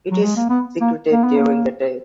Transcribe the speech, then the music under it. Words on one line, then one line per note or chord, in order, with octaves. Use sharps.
It is secretive during the day.
F#3
G#3
A#3
B3
A#3
A#3
B3
A#3